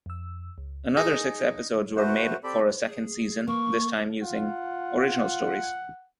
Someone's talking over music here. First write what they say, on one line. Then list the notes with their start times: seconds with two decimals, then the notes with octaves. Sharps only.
Another six episodes were made for a second season, this time using original stories.
0.06 F2 E6
0.58 C#2
0.97 D#4 G#4 G#5
1.96 A3 F#4 B4 C5
2.44 C4 G4 A4 D5 B5
2.87 G#4
3.48 A#3 C#6
4.22 F4 F#5